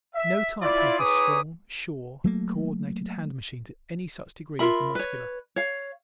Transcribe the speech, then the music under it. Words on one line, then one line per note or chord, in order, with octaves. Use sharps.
No type has this strong, sure, co-ordinated hand-machine to any such degree as the Muscular.
E5
E4 F4 D5
D#4 G#4 B4 C#5 D6 D#6
F#3 A3 A#3
F4 A#4 E5 B5
B4 C#5
C#5 F5